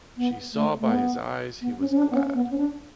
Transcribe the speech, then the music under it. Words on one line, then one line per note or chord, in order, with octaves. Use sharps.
She saw by his eyes he was glad.
B3
A3
A3
B3
B3
C#4
C#4
D4
B3
C#4
B3
C#4
D4